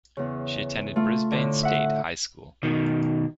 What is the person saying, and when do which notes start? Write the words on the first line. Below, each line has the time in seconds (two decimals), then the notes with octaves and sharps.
She attended Brisbane State High School.
0.17 E2 C#3
0.96 A3 F4
1.31 A2 D3
1.63 E5 F#5
2.63 B2 D#3